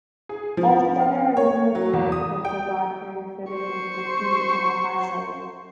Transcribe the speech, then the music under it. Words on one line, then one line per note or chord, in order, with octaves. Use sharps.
Altogether I was no spectacle for God-fearing citizens to see on a highroad.
G#4
F3
F5
C#5
F#3
E2
D#6
G5
C5 C#6